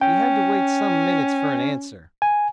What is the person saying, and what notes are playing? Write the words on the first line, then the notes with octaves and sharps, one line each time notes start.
He had to wait some minutes for an answer.
C#4 G5
G#5